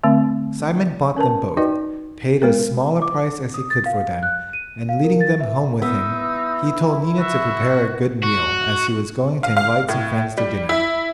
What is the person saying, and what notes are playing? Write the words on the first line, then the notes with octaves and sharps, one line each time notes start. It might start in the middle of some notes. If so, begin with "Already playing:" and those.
Simon bought them both, paid as small a price as he could for them, and leading them home with him, he told Nina to prepare a good meal, as he was going to invite some friends to dinner.
D3 A3 C4
C#4 A#4 B4 A5
D#4 F#4 B4 D5 D#5 G5
G#3 B3 A#4
D6
D#6
A6
F5
F#6
D#7
F5
A#4
A6
E5
B3 D#4 E4 E6
F#4 E5
F#4
F5
F5
A2
G3
E4